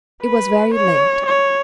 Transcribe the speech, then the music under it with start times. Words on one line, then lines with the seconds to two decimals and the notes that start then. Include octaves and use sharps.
It was very late.
0.23 B4
0.75 C#5
1.26 C#5